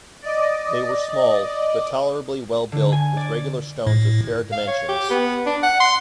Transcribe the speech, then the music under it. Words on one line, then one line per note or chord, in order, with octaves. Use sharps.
They were small, but tolerably well-built, with regular stones of fair dimensions.
D5 D#5
D3
G#5
D5
A2
F5
C#5
G4
B3
D4
F#5
C6